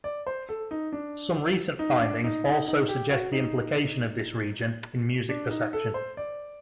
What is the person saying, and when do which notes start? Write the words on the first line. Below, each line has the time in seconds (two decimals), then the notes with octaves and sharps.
Some recent findings also suggest the implication of this region in music perception.
0.04 D5
0.27 C5
0.49 A4
0.71 D#4
0.92 D4
1.79 D#4
2.02 D4
2.24 D#4
2.45 D#4
2.67 D#4
2.88 G4
3.10 F#4
3.32 D#4
5.29 D4
5.51 D#4
5.73 A4
5.94 C5
6.17 D5